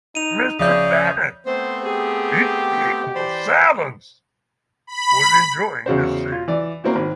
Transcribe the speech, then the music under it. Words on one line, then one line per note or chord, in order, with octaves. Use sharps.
Mr. Bennet, in equal silence, was enjoying the scene.
D#4 D#7 F7
D2 C#3 F3 D5 E5 D#6 G6
A3 B3 C4 C5
G4 G#4
E3 C5 D5 B5
B5
E2 C#3 F#4 C5
F4
E3 D5
A#3 C4 C#4 E4 F#4
G#1